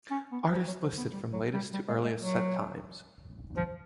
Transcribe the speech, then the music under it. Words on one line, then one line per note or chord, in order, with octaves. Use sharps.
Artists listed from latest to earliest set times.
C#4
B3
F3
F#3
F3
B3
G3
F#3
G3
G3
G#3
G#3
F#3
F3